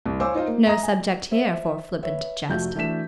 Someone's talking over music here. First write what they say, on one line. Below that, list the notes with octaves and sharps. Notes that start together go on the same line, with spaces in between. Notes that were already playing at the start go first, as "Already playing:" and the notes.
No subject here for flippant jest.
C2
C5 C#5 F5 G#5 D6 E6
D#4 F4 C5 D#5 F5
A#3
E5 A#5 D#6 A#6
G#5
C5 E5
B4 C#5 E5
F1 F3 A3 F#4 G6
E3 A3 D4 F#4 B6 E7